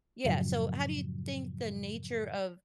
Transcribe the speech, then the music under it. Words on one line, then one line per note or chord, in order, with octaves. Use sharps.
Yeah, so how do you think the nature of
F#2 A2 C#3 F3 F#3